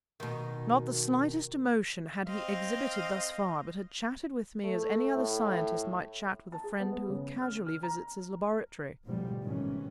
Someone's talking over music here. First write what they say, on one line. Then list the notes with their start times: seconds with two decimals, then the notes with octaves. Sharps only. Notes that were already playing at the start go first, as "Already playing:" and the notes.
Not the slightest emotion had he exhibited thus far, but had chatted with me as any other scientist might chat with a friend who casually visits his laboratory.
0.20 B2 D#3
2.26 C4 D#5 F5
4.64 A3
5.16 A2
6.52 A5
6.64 G#4
6.80 B3
6.93 B3
7.10 C#3
7.42 F6
7.67 F6
7.83 A#5
9.04 A1 D2 G#2 B2 F3 G3
9.43 G#1 A2 D#3 E3 C#4